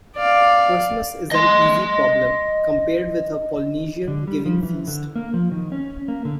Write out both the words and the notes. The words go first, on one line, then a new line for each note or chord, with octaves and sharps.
Christmas is an easy problem compared with a Polynesian giving-feast.
D5 F5
D#5 C6
D3
G3
F3
E3
D3
A#3
F3
D#3
C#4
A#3
D3